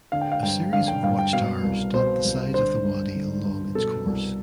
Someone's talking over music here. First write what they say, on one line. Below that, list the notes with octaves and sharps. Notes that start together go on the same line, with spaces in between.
A series of watchtowers dot the sides of the wadi along its course.
D3 F5
G5
F5
G2 G5
D3 F5
G5
G2 F5
G5
B2 F5
C2
B2 C5
C2
D3 C5
G2
D3
G2
B2 A4
C2